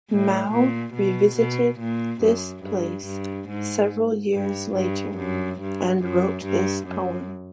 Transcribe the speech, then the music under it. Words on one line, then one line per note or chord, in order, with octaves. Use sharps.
Mao revisited this place several years later and wrote this poem.
A2
A#2
B2
B2
A#2
F#2
G2
G2
G#2
G2
G2
F#2
G2
F#2
G2
F#2